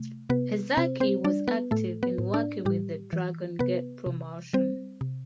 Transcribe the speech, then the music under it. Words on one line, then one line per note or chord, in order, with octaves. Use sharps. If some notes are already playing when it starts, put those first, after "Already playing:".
Ezaki was active in working with the Dragon Gate promotion.
Already playing: C3 A3
C3 B3 B4
C3 C4 C5
C4 C5
G3 D4 D5
B3 B4
A2 A3 A4
B3 B4
A2
D4 D5
A2 G3 G4
E3
C3 B3 B4
C3
G3 C4 C5
C3